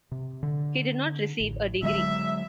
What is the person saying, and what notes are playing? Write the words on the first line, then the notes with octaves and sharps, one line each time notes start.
He did not receive a degree.
C3
D3
A1
D3 F#3 G#3 E5